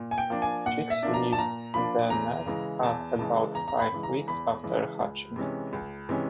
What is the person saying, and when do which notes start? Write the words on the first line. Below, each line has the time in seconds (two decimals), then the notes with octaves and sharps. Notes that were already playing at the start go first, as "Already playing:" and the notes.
Chicks leave the nest at about five weeks after hatching.
Already playing: A#2
0.11 G#5
0.18 G5
0.30 F3 A#3 D4
0.42 G#5
0.66 A#2 F#5
0.90 E5
1.03 F3 A#3 D4
1.14 A#5
1.33 A5
1.38 A#2 A#5
1.74 F3 A#3 D4 B5
2.10 E2 A#5
2.46 C#3 E3 G#3
2.83 E2 A5
3.19 C#3 E3 G#3 A5
3.55 E2 A#5
3.68 A#5
3.80 B5
3.92 C#3 E3 G#3
4.03 A#5
4.28 E2 B5
4.63 C#3 E3 G#3
5.00 C#2
5.36 C3 E3 G#3 C#4
5.73 C#2
6.09 C3 E3 G#3 C#4